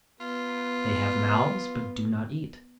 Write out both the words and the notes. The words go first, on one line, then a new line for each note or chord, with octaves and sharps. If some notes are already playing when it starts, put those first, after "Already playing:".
They have mouths, but do not eat.
B3 F4